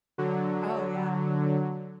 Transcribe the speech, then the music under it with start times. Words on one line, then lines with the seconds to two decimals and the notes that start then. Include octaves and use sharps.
Oh, yeah.
0.18 D3 F#3